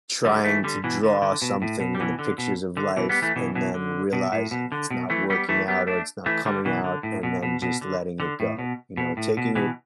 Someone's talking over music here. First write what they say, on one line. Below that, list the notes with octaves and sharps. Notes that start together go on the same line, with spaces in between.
Trying to draw something in the pictures of life and then realizing it's not working out or it's not coming out and then just letting it go, you know, taking a
D3 G3
E3 A3
D3 G3
B2 E3
D3
D3
B2
A2
B2
G3
B2 E3
D3
B2
D3
B2 E3
G3 B3
E3 A3
B2 E3
B2 E3
D3
B2
A2
B2
D3
B2
E3 A3
G3 B3
E3 A3
G3 B3
A3 D4
E3 A3
D3 G3
B2 E3
D3
A2
B2
B2
B2
D3
D3
A2
B2
B2
A2
B2
B2 E3